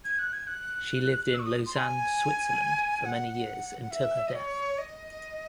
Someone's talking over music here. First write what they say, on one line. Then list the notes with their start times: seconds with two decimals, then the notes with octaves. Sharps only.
She lived in Lausanne, Switzerland, for many years until her death.
0.05 G#6
0.19 F#6
0.33 G#6
0.47 F#6
1.34 E6
1.39 C#6
1.45 D#6
1.66 C6
1.77 G#5
3.05 F#5
3.81 F#5
3.91 E5
4.27 D#5
4.35 C#5
4.78 D#5